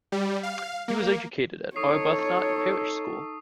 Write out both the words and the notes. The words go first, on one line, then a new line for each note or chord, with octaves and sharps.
He was educated at Arbuthnott Parish School.
G3
F5
A#3
D#4 A4 C#5 C#6 D#6 C7